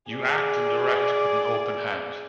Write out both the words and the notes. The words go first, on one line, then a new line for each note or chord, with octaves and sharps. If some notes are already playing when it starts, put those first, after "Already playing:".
You act and direct with an open hand.
G#4 D5